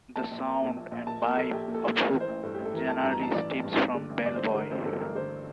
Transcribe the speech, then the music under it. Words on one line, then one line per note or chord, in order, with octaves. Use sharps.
The sound and vibe of Hook generally stems from Bellboy.
A#1 A5
A#1
A#2
A#2
A#1
A#1
A#2 A5
A#2 A#4
A#1 A4
A#1 G4
A#2
A4
A#2
A1 A#4
E3
C5
A1
G2 A4
G4
A1
A4
E3 A#4
A1 A5
A5
G2
A#5
A1 A5
E3 D5
A1
G2
A1
D3
A1
G2 D5
C5
A1
C5
D3 A#4
A1 C5
G2 A4
A1 A#4
D3 C5